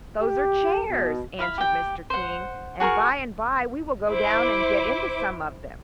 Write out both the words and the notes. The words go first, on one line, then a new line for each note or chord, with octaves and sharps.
"Those are chairs," answered Mr. King, "and by and by we will go down and get into some of them."
G4
B2
E4 F5 B5
G4 G5
C5 F#5
F#4 G#4 A#4 C#6
E4 C5 D6